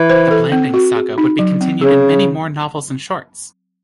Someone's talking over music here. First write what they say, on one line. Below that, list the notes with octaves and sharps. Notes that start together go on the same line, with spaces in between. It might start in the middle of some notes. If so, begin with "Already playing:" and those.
The Blandings saga would be continued in many more novels and shorts.
Already playing: E3
C5
A4
C4
F#4
G#4
D#4
F#3
C4
C#3 G#4